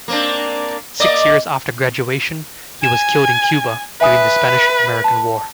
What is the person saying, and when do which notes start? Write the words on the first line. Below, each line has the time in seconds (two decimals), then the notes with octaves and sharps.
Six years after graduation, he was killed in Cuba during the Spanish-American War.
0.08 A#3 C4 D4
1.00 A#3 D5 D#5
2.83 G#5 E7
4.01 B4 E5 G#5 D#6
5.04 A5